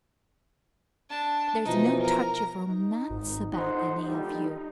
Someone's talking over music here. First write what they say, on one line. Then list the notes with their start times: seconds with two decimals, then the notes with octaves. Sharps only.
There's no touch of romance about any of you.
1.10 D4 A5
1.65 B2 E3 F3 D#4
2.01 A#4 A#5
2.68 D#4
3.10 G#1
3.53 G1 D#4 C5 F#5
4.06 A#2 D3 G3